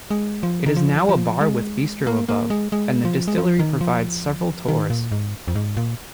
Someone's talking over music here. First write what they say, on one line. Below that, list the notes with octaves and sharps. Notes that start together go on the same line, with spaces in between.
It is now a bar with bistro above, and the distillery provides several tours.
G#3
F3
D#3
F3
F3
G#3
A#3
A#3
G#3
G#3
F3
G#3
F3
D#3
F3
D#3
A#2
G#2
F2
G#2
A#2